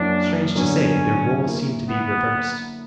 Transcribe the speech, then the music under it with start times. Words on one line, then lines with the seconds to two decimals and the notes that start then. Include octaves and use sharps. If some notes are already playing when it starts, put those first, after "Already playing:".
Strange to say, their roles seemed to be reversed.
Already playing: F#2 E3 A#3 C#4 D4 F#4
0.56 D3 F#3 B3 C#4 D4
1.44 E3 A#3 E4
1.88 B3